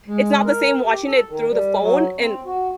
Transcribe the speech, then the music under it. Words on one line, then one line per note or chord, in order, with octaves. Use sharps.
it's not the same watching it through the phone and
G#3
A#4
G4
A4
D#3
G3
F#3
C4
F#4